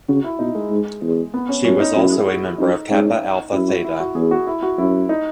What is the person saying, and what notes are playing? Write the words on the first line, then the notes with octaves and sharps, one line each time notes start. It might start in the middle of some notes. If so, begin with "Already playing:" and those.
She was also a member of Kappa Alpha Theta.
C#3 F#4
E4
B2 D#4
G#3
G#2
E2
B3
C#4
F#2 C#4
D#4
F#2 E4
G#4
F#4
F#2 D#4
G#2 C#4
D#4
F#2 E4
F#4
E4
F#4
E2 G#4
F#4
E4
F#4
F#2 E4
D#4